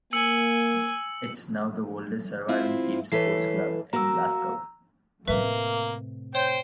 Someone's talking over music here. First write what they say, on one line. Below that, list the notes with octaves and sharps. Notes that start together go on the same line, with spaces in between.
It is now the oldest surviving team sports club in Glasgow.
A#3 G#5 E6 C#7 F#7
C4 E4 F4
E3 A4 B4 C#5 B6 C7
A#3 F#4 A#5 E6
A2 C3 A#3 B4 E5
C5 C#5 G5